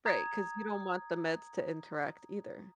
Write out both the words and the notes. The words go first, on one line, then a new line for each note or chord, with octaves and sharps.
Right, 'cause you don't want the meds to interact either.
A#5 D#6 G#6